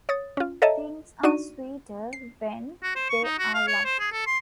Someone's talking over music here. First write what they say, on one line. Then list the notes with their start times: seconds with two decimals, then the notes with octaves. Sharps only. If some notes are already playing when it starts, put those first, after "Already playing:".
Things are sweeter when they're lost.
0.09 C#5 D#6 A6
0.37 C#4 F4
0.62 A4 C#5 D#5 E5 A5 A#5
1.23 D4 D#4 F#4 D5 C#6 D#7
2.13 C7
2.83 F#4
2.96 C5
3.09 C#6
3.24 D#4
3.38 F#4
3.54 F5
3.68 C#5
3.85 C5
4.00 G#4
4.12 A4
4.26 C6